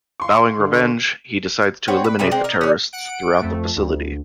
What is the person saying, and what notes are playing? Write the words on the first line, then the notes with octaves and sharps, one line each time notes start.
Vowing revenge, he decides to eliminate the terrorists throughout the facility.
F5 C6 C#6
D3
B3 C4 C#5
B4
C3 G3 G#4 E5
G#3 C4 D4
A#4 D#5
C#4 D4
F#5 D7
F2 A3
D2